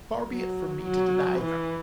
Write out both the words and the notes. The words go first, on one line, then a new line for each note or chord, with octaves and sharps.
Far be it from me to deny them.
F#3
F#3
E3